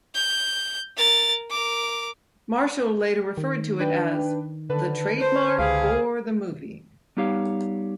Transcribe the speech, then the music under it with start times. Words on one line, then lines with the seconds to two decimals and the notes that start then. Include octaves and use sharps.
Marshall later referred to it as "the trademark for the movie".
0.15 G6
0.97 A#4 A6
1.50 A#4 D6
3.37 D#3
3.79 D4 B4 G5
4.69 D3 B4 A5
5.20 C5
5.59 C#2 E4 G4 G#4 F5
7.17 G3 B3 D#4 G4 C#5 F5